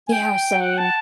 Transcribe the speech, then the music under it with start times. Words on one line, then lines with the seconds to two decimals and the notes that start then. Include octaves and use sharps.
Yeah, same.
0.08 G#5
0.12 G5
0.61 F#5
0.78 A5